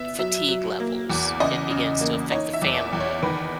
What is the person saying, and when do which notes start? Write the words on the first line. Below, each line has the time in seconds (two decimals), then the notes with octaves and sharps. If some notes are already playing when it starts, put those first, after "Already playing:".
fatigue levels, it begins to affect the family,
Already playing: B3 E5
0.19 F#3 E5
0.49 F#3
0.80 A#3
1.10 E2
1.40 C#3 D#5
1.71 C#3
2.01 A#3
2.31 D#4 C#5
2.54 E5
2.62 E2
2.77 E5
2.93 E2
3.00 C#5
3.23 D#3 B4